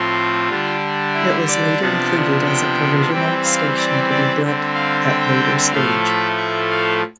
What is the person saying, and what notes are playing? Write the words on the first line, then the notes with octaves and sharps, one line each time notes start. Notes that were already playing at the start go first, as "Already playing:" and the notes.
It was later included as a provisional station to be built at later stage.
Already playing: A2 F3 C4 F4
D3 G3 D4
E4
D5
C3 F3 B3 D4
G5
E3 G3 C4 G5
F5
D5
D5
D3 G3 C4
F5
G5
A2 F3 A3 F5
E5
E5
F5